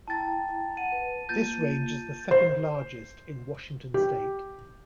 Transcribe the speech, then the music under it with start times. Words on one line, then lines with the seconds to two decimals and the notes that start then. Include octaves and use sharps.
This range is the second largest in Washington State.
0.08 E4 G5 A5 A#5 A6
0.77 F#5 D#7
0.92 B4
1.29 A#3 F4 G6 A6 D#7
2.31 C5
3.94 G4